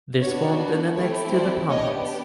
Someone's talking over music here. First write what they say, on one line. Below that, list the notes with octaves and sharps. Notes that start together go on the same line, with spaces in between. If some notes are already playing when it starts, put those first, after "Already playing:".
This formed an annexe to the pump house.
B3 D4 F#4 C#5
A3 C4 E4 G4 C#5
C5 D5
B3 D4 G4 C#5 D#5